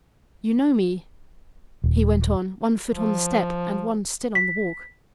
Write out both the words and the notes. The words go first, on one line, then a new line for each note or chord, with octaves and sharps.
"You know me?" he went on, one foot on the step and one still on the walk.
D#1
F3
B6